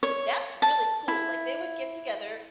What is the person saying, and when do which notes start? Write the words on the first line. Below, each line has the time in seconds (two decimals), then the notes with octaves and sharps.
"That's really cool," like, they would get together,
0.03 C#5
0.62 A5
1.08 E4